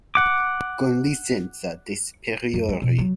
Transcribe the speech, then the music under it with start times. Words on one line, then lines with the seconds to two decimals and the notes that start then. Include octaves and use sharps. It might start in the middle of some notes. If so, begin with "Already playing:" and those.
Con licenza de' Superiori.
0.15 F#5 D6
2.54 F#2
2.69 G#3
2.82 B2
2.98 F#3